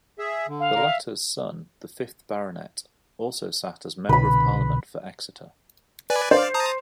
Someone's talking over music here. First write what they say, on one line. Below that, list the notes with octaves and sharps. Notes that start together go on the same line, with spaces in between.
The latter's son, the fifth Baronet, also sat as Member of Parliament for Exeter.
G#4 E5
D3
F5
D3 A#4
E5
C2 B2 D3 B4 B5
B4 D5 G#5
C5 D5 F5
A5 A#5 D#6